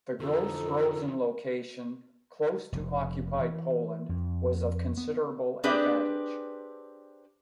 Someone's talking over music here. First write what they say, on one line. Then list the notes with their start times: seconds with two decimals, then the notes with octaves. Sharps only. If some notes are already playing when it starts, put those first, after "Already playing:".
The Gross-Rosen location close to occupied Poland was of considerable advantage.
0.20 F2 D3 E3 D#4 A4
2.72 F1
3.40 E3
4.09 F2
4.97 B3
5.64 C4 D4 G4 G#4 B4